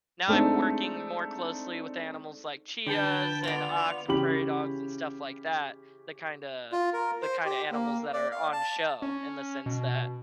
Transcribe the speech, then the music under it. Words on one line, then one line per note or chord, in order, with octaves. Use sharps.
now I'm working more closely with animals like chias, and ox, and prairie dogs, and stuff like that. The kinda the kinda animals that are on the show, in the sense that,
G#3 A3 C4 D4 D#4
D3 B4 G5 A5
B3 F4 D5 F7
C#3 E3 C#4 G4 B5 F#7
F4
A#4
C5
G4
A#3
D5
F5
A5
C#4
B2